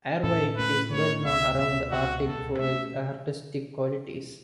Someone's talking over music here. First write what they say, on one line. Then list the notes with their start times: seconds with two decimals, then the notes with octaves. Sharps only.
Arviat is well known around the Arctic for its artistic qualities.
0.23 A2 A3 C#4 A4
0.57 A2 A3 C#4 B4
0.90 A2 A3 C#4 C#5
1.24 C#2 B2 B3 E5
1.57 C#2 B2 B3 E5
1.91 C#2 B2 B3 F#4
2.25 C#2 B2 B3 A4
2.59 B2 A3 C#4 E5